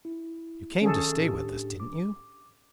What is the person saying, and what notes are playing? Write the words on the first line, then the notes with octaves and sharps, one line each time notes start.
"You came to stay with us, didn't you?"
E4
D#3 C#4 G#4 A4
A2 D4 G4
D6